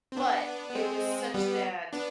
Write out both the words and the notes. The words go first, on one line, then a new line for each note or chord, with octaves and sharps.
But it was such that
C4
B3 D4
B3
G#3 C4
G3 B3
B3 D4